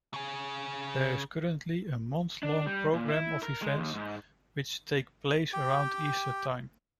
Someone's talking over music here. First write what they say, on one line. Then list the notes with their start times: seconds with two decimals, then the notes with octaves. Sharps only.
There is currently a month-long programme of events which take place around Easter time.
0.14 C#3 G#4
2.43 D4
2.67 G3
2.94 A#2
3.08 E4
3.43 A#4
3.62 G#3
3.77 D#2
3.95 G#2
5.53 G4 G5